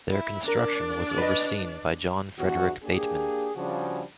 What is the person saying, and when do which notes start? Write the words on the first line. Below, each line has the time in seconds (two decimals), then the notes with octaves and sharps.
Their construction was overseen by John Frederick Bateman.
0.10 E4
0.48 D4 A#4 D5
1.18 B4 D#5
2.39 E2 G2 F#4
2.84 A#3 D4 G4 G#4
3.56 C#3 F3 G3 D4 F#4 G#4